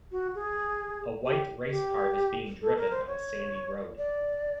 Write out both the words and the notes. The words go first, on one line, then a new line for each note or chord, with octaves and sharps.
A white race car is being driven on a sandy road.
F#4
G#4
G4
G4
A4
A#4
C5
C#5
D5